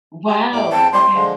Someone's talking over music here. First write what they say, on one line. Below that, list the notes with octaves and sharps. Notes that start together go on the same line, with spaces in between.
Wow, okay.
G4
A2 G3 D6
E2 C4 G5 A5
A2 C4 C6
D3 F3 G#3